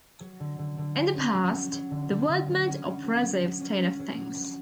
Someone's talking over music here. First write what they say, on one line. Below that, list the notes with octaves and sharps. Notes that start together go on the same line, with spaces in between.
In the past, the word meant oppressive state of things.
F#3
D3
D3
D3
F#3
C#4
F#3
F#3
F#3
D3
D3
D3
F#3
C#4
F#3
F#3
F#3
F#3
C#4
C#4
F#3
F#3
F#3